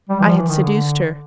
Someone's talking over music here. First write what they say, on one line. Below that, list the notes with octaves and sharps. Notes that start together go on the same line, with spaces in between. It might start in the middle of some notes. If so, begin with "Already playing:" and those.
I had seduced her.
G3
E3
F3
E3
D#3
D3